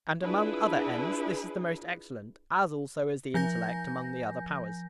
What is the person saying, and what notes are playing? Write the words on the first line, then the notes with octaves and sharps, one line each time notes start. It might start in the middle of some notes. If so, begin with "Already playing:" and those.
And among other ends this is the most excellent: as also is the intellect among the other powers.
D4 E4 F4 G#4 B4
F3 G#5 G6 A#6